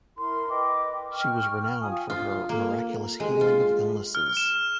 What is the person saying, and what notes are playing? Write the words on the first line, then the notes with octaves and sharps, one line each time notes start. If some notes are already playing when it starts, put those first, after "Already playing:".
She was renowned for her miraculous healing of illnesses.
E4 A#4 C6
B4 D#5 G5 D6
G5 C#6 F6
F4 G#5 D#6
F4
A#3
G#3
F4
F6
E7